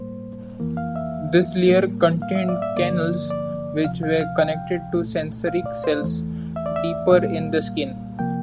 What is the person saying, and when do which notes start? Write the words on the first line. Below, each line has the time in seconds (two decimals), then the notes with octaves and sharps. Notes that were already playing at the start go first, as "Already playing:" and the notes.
This layer contained canals which were connected to sensory cells deeper in the skin.
Already playing: A2 G3 A#3 C5
0.60 F2 E3 A#3
0.77 F5
0.96 E5
1.67 A2 G3 A#3
2.22 F5
2.35 E5
2.49 D5
2.62 E5
2.77 G2 D3 F3 A#3 D5
3.30 D5
3.84 D2 C3 F3 F5
4.03 F5
4.21 F5
4.39 G5
4.93 C2 A#2 A3
5.47 F5
5.66 D5
5.84 C5
6.02 E2 E3 A3
6.56 E5
6.66 D5
6.76 E5
7.10 C2 A#2 G3 A#3 F5
8.19 C3 F3 A#3 G5